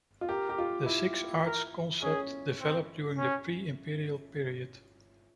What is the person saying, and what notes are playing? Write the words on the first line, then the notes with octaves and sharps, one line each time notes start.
The Six Arts concept developed during the pre-imperial period.
F4
G4 A#4
G4
F4
E4
A#4
C#4 G#4
C4
C#4